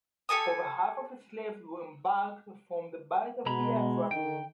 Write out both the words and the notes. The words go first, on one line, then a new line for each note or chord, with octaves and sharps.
Over half of his slaves were embarked from the Bight of Biafra.
G4 A4 G#5 D#6
B2 G#3 A#5 B5
D3 D#3 D#4 G5